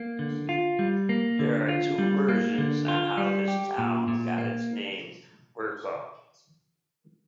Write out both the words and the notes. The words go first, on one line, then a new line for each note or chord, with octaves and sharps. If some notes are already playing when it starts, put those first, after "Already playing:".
There are two versions on how this town got its name as "Bucay".
Already playing: A#3
D3
F4
G3
A#3
D3
F4
G3
A#3
D3
F4
G3
G4
A#2
A#2
A#3